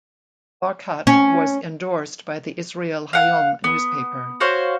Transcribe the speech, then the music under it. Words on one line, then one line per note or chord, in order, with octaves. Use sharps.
Barkat was endorsed by the "Israel Hayom" newspaper.
C#4
F5 F#5
B3
F#4 C5 C#5 F5